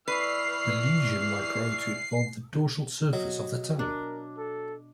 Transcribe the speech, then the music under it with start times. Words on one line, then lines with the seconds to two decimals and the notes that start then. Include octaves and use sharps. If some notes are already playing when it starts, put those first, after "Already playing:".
The lesion may grow to involve the dorsal surface of the tongue.
0.08 E3 B4 D5 C#6 E6 F6 C7
3.13 B2 F#3 D#5
3.79 D4 A#4
4.38 A4